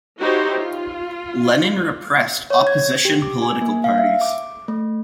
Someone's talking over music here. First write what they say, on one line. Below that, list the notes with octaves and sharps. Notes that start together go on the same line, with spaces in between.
Lenin repressed opposition political parties.
D#4 E4 F#4 G4 C5 C#5
F4
C#5
G#6
G4
D6
G#5
A#3
F5
E5
D6
A3